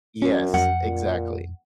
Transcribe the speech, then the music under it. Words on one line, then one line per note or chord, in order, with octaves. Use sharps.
Yes, exactly.
F#2 C#4
F2 F#5
A#2